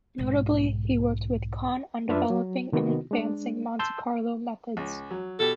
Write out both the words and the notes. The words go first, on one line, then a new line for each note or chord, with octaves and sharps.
Notably, he worked with Kahn on developing and advancing Monte Carlo methods.
B1 G#2
F#2 D4 F4 B4 E5 F5
F#3
C3 D#3 A#3 B3 F#4
G#3 D4
A5 C6 E6 G6
C#2
F#3
B2 G4 A4